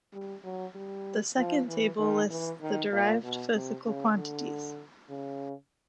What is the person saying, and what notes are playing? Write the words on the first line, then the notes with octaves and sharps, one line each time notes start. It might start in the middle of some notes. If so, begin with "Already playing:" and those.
The second table lists the derived physical quantities.
G3
F#3
G3
F3
E3
D#3
E3
D#3
A#2
B2
C3
C#3
D3
C#3